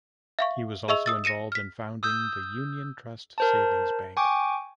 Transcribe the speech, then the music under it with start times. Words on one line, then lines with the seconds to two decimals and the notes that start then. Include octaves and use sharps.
He was also involved in founding the Union Trust Savings Bank.
0.39 E5 F5 C#6
0.88 G#4 D#5 E5 C#6 E6 F7
1.06 D#6 E6 A6
1.24 A#6 C#7 D#7 E7
1.52 F6 B6
2.03 D#6 E6 G6
3.38 A#4 C5 A5
4.17 G5 G#5 C#6 D6